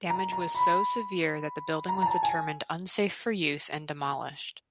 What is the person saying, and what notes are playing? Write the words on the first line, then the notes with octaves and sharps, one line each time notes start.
Damage was so severe that the building was determined unsafe for use and demolished.
A#5
A#5
B5
A#5
A#5
A5
G#5